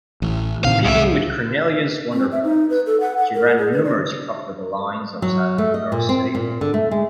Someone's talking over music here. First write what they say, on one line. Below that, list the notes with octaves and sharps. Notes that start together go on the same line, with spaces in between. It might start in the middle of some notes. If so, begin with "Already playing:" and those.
Competing with Cornelius Vanderbilt, he ran numerous profitable lines outside of New York City.
A1
A2 C3 D#3 F5
C2 F#2 E5
C4
E5
D#4
B4
A4
F#5
F#5
A#4
G#4
B4
D5
F#3
A3
D#5
A#2
C4
A#2
D3
A3
G#3